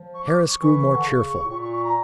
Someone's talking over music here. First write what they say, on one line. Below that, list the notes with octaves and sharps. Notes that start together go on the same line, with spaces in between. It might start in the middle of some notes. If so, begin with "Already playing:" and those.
Harris grew more cheerful.
Already playing: F3
C#6
D6
C#6
E3 C#6
D3
C#3
A2
A#2 C#6
C#6
C#6
A#5